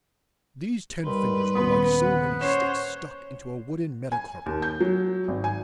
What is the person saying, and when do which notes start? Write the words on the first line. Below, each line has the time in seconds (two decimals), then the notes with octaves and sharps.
These ten fingers were like so many sticks stuck into a wooden metacarpal.
1.05 D#2 G3 B4 C6
1.55 D#1 B3 B5 D#6
2.01 F#5 F#6
2.41 C#4 C5 C#5 C7 E7
4.12 G#5
4.46 D#2
4.62 G6
4.80 F#3
5.28 G#1
5.44 G#5